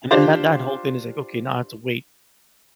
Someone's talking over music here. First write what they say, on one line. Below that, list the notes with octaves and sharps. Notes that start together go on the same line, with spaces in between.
and then that that whole thing is like, okay, now I have to wait,
D4 F4 G4 C5 D5